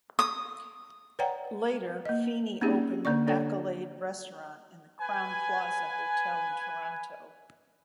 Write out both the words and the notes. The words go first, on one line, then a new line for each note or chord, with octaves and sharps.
Later, Feenie opened Accolade Restaurant in the Crowne Plaza Hotel in Toronto.
D#6
B4 C#5 D5 F#5 G5 A#5
A#3 D#5
A#3 C4 C#4 D#4 G4 G#4
D3 A#3 D4 D5 C#6
D4 A4 C#5 D5
B4 G#5